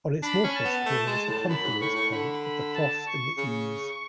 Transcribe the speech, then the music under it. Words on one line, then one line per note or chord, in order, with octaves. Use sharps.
On its north-west corner is the confluence point of the Foss and the Ouse.
D4 B5
C#4
A5
B3
A3
G#3
A2
F#2 B5
G#2
A2 C#6
A2
D3 B5
B5
A5
C#6
C#3 C#6